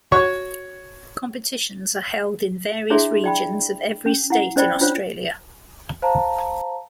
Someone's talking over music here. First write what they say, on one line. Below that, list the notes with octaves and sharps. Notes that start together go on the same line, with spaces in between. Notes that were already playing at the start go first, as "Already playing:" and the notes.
Competitions are held in various regions of every state in Australia.
F#4 C#5 C#6
D4 E4 G#4 C#5 E5 C6
D5 G5 B5
C#4
E4 F#5
C#4 C5 D5 D#5 G5 B5
D4 F4 C5 C#5
C5 F5 A5 A#5